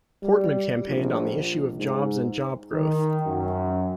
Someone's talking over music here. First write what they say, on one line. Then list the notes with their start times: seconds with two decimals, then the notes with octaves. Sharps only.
Portman campaigned on the issue of jobs and job growth.
0.23 G3
0.87 A#1
1.78 G#2
2.72 D#3
3.26 F#2